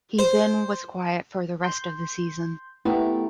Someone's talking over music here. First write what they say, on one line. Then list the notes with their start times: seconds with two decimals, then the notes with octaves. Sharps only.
He then was quiet for the rest of the season.
0.19 C5
1.63 C6 G6
2.85 A3 B3 E4 G4 A#4